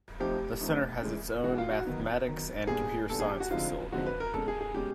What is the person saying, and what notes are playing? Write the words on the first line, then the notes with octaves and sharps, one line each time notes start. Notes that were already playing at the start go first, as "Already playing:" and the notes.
The Center has its own mathematics and computer science faculty.
F3 A3 C4 D#4 G4
F3 A3 C4 D#4
E3 G#3 C#4
E3 G#3 C#4 F#4
F4
F#4
D#3 F#3 B3 D#4
D#3 F#3 B3 D#4
A#2 G3 B3 D4 G#4
A#2 G3 B3 D4 A4
G#4
G4
F#4
D3 F3 G#3 C4 D#4 F4
D3 F3 G#3 C4 D#4 F#4
B4
A#4
B2 G#3 C#4 A4
G#4
G#4
B2 G#3 C#4 G4